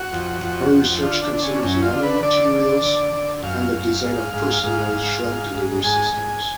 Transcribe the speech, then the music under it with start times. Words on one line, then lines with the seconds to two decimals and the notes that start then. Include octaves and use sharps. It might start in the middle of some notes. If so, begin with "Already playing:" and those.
Her research considers nanomaterials and the design of personalised drug delivery systems.
Already playing: F#4
0.13 F2
0.42 F2
0.72 F2
1.03 D3 F4
1.22 D4
1.33 D3
1.43 C#4
1.63 F#2 C#4
1.82 F4
1.93 D3
2.03 B4
2.23 D3 D5
2.53 D3
2.83 D3
3.13 D3
3.43 F#2 F5
3.73 F#2
4.04 G#2
4.34 G#2
4.63 G#2
4.94 G#2
5.24 G#2
5.54 G#2
5.84 G#2 G#5
6.14 G#2